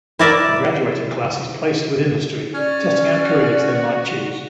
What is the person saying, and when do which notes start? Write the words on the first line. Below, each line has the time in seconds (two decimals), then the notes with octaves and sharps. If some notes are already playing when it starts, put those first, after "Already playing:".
The graduating class is placed with industry, testing out careers they might choose.
0.19 E4 A#4 D5 E5
2.54 C#4 D5
3.20 F#4